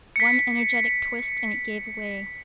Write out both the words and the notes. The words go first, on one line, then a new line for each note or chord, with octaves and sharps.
One energetic twist and it gave way.
B6 C#7